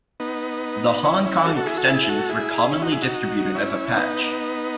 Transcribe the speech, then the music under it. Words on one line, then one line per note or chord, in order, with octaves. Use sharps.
The Hong Kong extensions were commonly distributed as a patch.
B3 D#4
C#4 E4
D#4
C#4 E4
F#4 A4
F#4 A4
E4 G#4
F#4 A4
E4 G#4
F#4 A4
E4 G#4
C#4 E4
D#4 F#4
E4 G#4
D#4 F#4
C#4 E4
B3 D#4